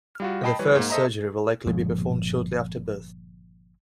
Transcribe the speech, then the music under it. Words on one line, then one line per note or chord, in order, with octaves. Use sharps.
The first surgery will likely be performed shortly after birth.
G3 F4 F#4
D#5 G5 A5 B5 C7
E3 G3 B4 C#5
G#2 A#3
A4 C5 D#5 E5 A#5
G1 A#2 F3 G#3